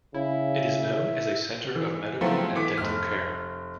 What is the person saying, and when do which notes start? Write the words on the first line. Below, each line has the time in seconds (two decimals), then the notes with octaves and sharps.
It is known as a center of medical and dental care.
0.14 C#3 E4
1.75 E3
2.21 F3 F#3 A3 B3 C4 E4
2.55 E3 A3 B3 D6 B6
2.78 F1 F6